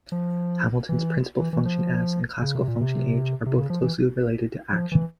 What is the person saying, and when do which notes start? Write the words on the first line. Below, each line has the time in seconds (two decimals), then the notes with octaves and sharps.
Hamilton's principal function "S" and classical function "H" are both closely related to action.
0.12 F3
0.89 E3
1.40 E3
1.53 E3
1.65 F3
2.42 C#3
2.55 C3
2.68 A#2
2.81 C3
3.46 C3
3.58 C#3
3.70 F3
3.83 E3
4.72 F3
4.92 E3